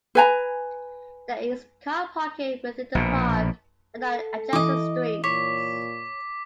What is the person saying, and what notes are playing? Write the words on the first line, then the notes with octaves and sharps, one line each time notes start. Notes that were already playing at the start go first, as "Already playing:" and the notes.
There is car parking within the park and on adjacent streets.
B4 G#5 A#5
A#1 B2
A4
E3 D#5 D6
A#2 C#5 D6 B6